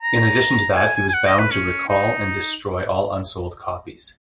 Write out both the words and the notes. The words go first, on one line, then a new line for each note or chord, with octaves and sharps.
In addition to that, he was bound to recall and destroy all unsold copies.
A#5
G#5
G#5
G#5
F#5
D#5
B4
C#4
D#4